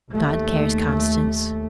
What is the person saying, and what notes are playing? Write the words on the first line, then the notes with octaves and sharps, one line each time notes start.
"God cares, Constance."
D#2 A3